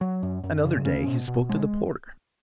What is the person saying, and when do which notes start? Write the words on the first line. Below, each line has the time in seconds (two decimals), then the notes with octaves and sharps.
Another day he spoke to the porter.
0.01 F#3
0.23 F#2
0.44 F#2
0.65 C#3
0.85 C#4
1.06 B2
1.28 B2
1.49 G#3